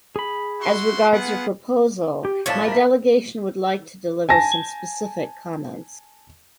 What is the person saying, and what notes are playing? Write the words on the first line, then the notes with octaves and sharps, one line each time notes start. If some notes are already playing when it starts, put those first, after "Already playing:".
As regards your proposal, my delegation would like to deliver some specific comments.
G#4 B5
E4 F#4 C6
B3 F4 G#4 F#5
G4
A2 F3 D4 C#5 E5 A5
A#4 E5
G#5 A5 A#6